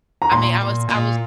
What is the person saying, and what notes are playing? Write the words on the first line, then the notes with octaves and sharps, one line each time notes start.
I mean, I was I was
A#5
A#2 C6
A#2
A#2